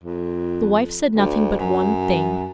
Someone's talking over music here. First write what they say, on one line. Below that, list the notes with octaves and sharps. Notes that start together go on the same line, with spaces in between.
The wife said nothing but one thing.
F2
D2
F#2